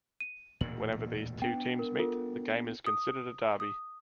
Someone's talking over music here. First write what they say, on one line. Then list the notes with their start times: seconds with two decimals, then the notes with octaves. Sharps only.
Whenever these two teams meet, the game is considered a derby.
0.20 D#7
0.61 E1 D2 A#2 F#7
1.42 B3 D4 G5
1.79 A#4
1.99 F4 A4 A#4
2.86 D#6
3.60 D#6